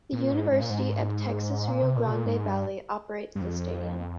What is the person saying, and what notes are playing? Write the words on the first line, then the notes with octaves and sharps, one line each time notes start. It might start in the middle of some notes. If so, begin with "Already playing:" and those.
The University of Texas Rio Grande Valley operates the stadium.
A#2
G#2
G#2
A#2
G#2
A#2
C3
A#2
C3
A#2
G#2
G2
G2
F2